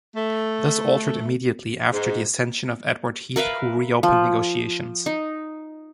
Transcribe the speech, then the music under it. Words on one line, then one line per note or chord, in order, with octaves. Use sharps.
This altered immediately after the ascension of Edward Heath, who reopened negotiations.
A3
G#2
A#4 B4 E5 F5
F3
D#4